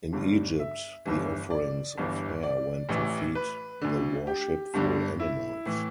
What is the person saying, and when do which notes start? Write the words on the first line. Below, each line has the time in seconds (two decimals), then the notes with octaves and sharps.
In Egypt the offerings of hair went to feed the worshipful animals.
0.13 G1 G2 D3
0.59 E5
1.05 G1 G2 E3
1.50 D5
1.98 G1 G2 E3
2.43 D5
2.89 A1 A2 E3
3.35 B4
3.81 D2 D3
4.27 G4
4.74 G1 G2 D3
5.20 E4
5.66 A2 E3